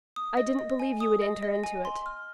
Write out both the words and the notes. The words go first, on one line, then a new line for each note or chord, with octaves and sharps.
I didn't believe you would enter into it.
D#6
D#5
D#5
G#5
D#6
D#5
D#5
G#5
C6
F6